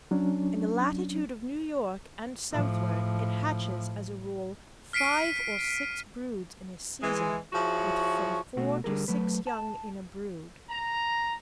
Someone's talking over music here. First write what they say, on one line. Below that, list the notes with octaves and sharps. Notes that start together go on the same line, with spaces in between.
In the latitude of New York and southward it hatches, as a rule, five or six broods in a season, with from four to six young in a brood.
F#3 C#4 D4
A2 F3
F6 B6 C7 D7 D#7
E3 G#3
F3 E4 F#4 G#4 C#5
B2 A3 F#4
D3 G3 G#4 A#4
F#3 A3 B4
A5
A#5